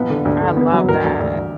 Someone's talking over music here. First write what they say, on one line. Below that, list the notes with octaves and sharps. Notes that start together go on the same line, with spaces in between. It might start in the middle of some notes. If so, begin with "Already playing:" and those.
I love that.
Already playing: A#1 B3
D3
D2
D3
B3
F#3
D2 A#4
D2
D2